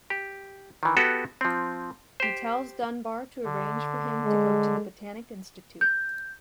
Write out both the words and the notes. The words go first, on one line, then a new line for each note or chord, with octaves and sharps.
He tells Dunbar to arrange for him to go to the Botanic Institute.
G4
D#3 E3
B3 F#4 G4 A4
F3 C4
G4 C5
D3
G#3
G6